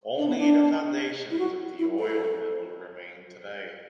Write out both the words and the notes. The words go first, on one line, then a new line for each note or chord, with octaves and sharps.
Only the foundations of the Oil Mill remain today.
D4
B3
D4
E4
F#4
E4
A4